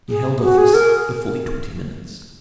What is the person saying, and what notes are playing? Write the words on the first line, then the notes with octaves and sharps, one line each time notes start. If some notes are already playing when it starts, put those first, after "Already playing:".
He held office for fully twenty minutes.
G#4
F#4
G#4
A#4